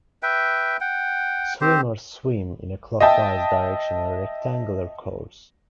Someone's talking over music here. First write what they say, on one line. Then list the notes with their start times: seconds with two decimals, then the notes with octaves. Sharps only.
Swimmers swim in a clockwise direction on a rectangular course.
0.23 B4 E5 G5
0.80 F#5 G5
1.61 C4 G4 C5
3.00 D#5 E5 G5 A5